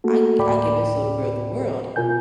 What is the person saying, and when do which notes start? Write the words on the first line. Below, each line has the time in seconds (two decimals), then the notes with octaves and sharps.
I I give this little girl the world,
0.04 A3 A#3 F#4 A4
0.39 D2 A2 D5 G5 B5 D6
1.96 B2 F4 A#4 G#5 G6